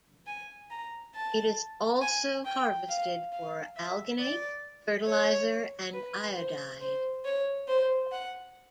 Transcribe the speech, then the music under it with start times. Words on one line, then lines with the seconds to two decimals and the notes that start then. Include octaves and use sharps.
It also is harvested for alginate, fertilizer and iodide.
0.27 G#5
0.70 A#5
1.15 A5
2.01 G#5
2.45 G5
2.89 F5
3.32 F5
3.76 E5
4.19 D5
5.06 C#5
5.93 B4
6.37 C5
6.81 C5
7.25 C#5
7.68 C5
8.12 F#5